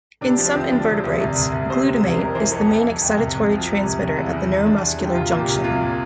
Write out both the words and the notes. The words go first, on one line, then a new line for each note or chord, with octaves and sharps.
In some invertebrates, glutamate is the main excitatory transmitter at the neuromuscular junction.
C3 D4
F3
C4
D2
F3 D4
C3
D2
C2 D5
C2
C2
C3 C5
C2
C2
C5
F2 A#4
E3 C5
F2 A4
F2
F2
F2
C2
C2
F3
C3
C2
C2
E2 E4
E2
E2
E2 D4
E2
D3
G4
C2 F4
A#2
G4
C2
C2 F4
A#2